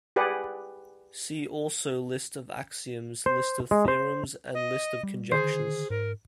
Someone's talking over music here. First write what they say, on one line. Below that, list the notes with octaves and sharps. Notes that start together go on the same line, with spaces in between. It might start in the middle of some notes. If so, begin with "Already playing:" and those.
See also list of axioms, list of theorems and list of conjectures.
G4 G#4 B4 D5 F#5
C5
G#3
C5
D#5
G3
D3 D#3 G#4 C5
G#2 A#4